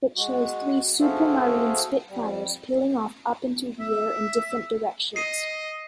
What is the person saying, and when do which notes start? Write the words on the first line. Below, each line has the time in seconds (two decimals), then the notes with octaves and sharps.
It shows three Supermarine Spitfires peeling off up into the air in different directions.
0.17 G#3 F#4
1.01 F#4 G#4 A4 C5 E5 F5
2.09 F2 G3
3.80 E5
5.16 D#5 C7 D#7